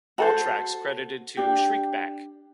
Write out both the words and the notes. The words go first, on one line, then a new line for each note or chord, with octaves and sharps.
All tracks credited to Shriekback.
F#4 A4 C5
D4 G4